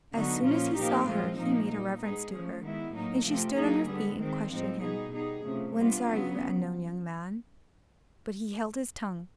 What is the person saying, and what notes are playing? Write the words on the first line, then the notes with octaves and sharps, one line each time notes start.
As soon as he saw her, he made a reverence to her, and she stood on her feet and questioned him: "Whence are you, unknown young man?" But he held his tongue.
D3 F#3 B3 D#4 F#4
A#2 F3 A#3 C#4 F4
A#2 F3 A#3 D#4 G4
F3 G#3 C4 F4
A#2 F3 A#3 D#4
F#3 A#3 D#4
G#3 B3 D#4 G#4
F3 A3 C#4
D#3 G#3 B3 E4
A2 F#3 A#3 D#4
C3 F3 A3 C4
F#3 A#3 D#4 G#4
D3 G3 B3
D#3 G#3 C4
A2 F3 G#3 C4 D#4
B2 G3 B3 D#4 G#4
G3 B3 D#4 G#4
C3 F3 A3 C#4
G3 B3 D4 F4
C#3 F#3 B3